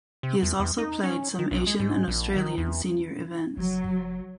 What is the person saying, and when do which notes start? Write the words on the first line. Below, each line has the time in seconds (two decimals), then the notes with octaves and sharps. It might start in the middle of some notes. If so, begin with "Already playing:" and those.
He has also played some Asian and Australian senior events.
0.23 C3
0.43 E2
0.59 E2
0.78 D#4
1.03 C#4
1.39 D#3
1.51 B1
1.67 G#3
1.80 G#2
2.08 A#1
2.36 D#3
2.58 E2
3.57 F#1 F#3